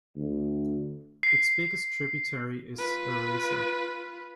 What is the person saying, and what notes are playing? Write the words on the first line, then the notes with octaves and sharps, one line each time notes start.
Its biggest tributary is Aresa.
D2
C7
F4 B4